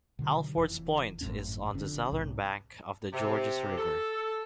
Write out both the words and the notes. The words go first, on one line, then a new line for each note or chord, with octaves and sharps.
Alfords Point is on the southern bank of the Georges River.
B2 D3 D#3 F#3
F1 F2 E3
G#1 F#2 A2 C#4
F1 F2 D3 C#4
B1 G#2 C3
C3
A4